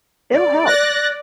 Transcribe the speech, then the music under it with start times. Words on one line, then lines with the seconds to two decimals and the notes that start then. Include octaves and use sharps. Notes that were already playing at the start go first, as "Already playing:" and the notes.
It'll help.
0.33 D5
0.65 F#6 A6 A#6